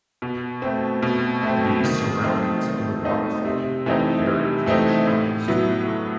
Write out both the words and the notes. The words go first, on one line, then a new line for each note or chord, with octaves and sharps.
The surroundings of the waterfall are very commercialized.
B2
A3 C4
B2
A3 C4
D#3
A3 C4 D#4
D#3
A3 C4 D#4
C3
E3 A3 C4 D#4
C3
E3 A3 C4 D#4
A2
F#3 B3 E4
A2